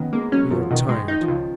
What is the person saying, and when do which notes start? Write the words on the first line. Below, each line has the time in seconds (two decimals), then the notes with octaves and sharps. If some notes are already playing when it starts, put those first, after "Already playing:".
We are tired.
Already playing: D#3 B3 C#4
0.13 G#3 A#3
0.32 F#3 C#4
0.50 F#2 F3
0.61 F3
0.71 B2 D#3
0.89 G#3
1.08 D#4
1.21 F3
1.28 C#2